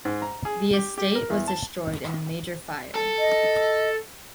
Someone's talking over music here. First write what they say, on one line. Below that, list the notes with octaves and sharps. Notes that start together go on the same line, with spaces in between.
The estate was destroyed in a major fire.
G#2
A#5
G#4
G4
G4
A#4
E2
A5
A4
D#5